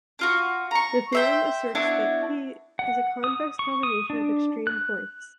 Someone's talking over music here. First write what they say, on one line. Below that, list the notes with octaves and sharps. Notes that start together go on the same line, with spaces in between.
The theorem asserts that "p" is a convex combination of extreme points.
D4 F4 F#4
A#5 C#6
C5 E5 G5
B3 D4 E4 F#4
F#5
D#6
C#6
D#6
D4
F#6